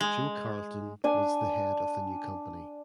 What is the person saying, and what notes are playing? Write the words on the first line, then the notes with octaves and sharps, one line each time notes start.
Joe Carlton was the head of the new company.
G#3
D4 G#5